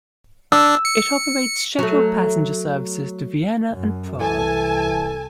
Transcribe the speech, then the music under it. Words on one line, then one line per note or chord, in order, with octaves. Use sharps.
It operates scheduled passenger services to Vienna and Prague.
D4 E6
C#7
F#3 A3
F#2
C2 E3 A4 G#5 A5